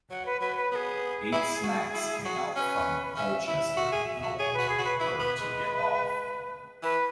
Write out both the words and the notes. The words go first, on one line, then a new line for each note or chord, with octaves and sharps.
Eight smacks came out from Colchester and helped her to get off.
F#3 F#5
B4
F#3 B4
B4
B3 G#4 B4
E4
F#4
E4
F#4
C#4 B4 C#5
C#4 E5
E4 E5
F#4
G#4
F#4
G#4 C#5
F#4 B4
G#4
F#4
B4
E4 B4
B3
G#3
E3 B4